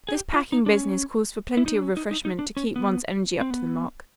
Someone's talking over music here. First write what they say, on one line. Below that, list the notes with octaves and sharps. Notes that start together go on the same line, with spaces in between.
This packing business calls for plenty of refreshment to keep one's energy up to the mark.
G#4
G4
F4
D#4
D4
C#4
E4
D#4
D4
C#4
D#4
D#4
D#4
D4
C#4
B3
C4
B3